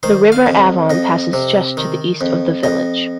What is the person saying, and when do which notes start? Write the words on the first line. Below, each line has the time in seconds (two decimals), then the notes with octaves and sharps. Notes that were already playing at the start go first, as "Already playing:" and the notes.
The River Avon passes just to the east of the village.
0.03 D#3 C5
0.32 F5
0.46 F2
0.90 F2 D#5
1.33 C3
1.77 D#3
2.21 F2
2.63 F2 D#5